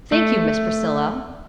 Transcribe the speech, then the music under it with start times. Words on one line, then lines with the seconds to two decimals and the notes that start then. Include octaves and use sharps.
"Thank you, Miss Priscilla."
0.12 A3